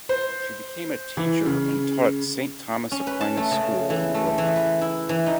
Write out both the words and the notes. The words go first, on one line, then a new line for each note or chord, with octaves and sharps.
She became a teacher, and taught at Saint Thomas Aquinas School in Brooklyn.
C5
E3
C#3
C#4
B4
A5
A3
C#3
E3
A3
E3
B4
E4
E3
D#4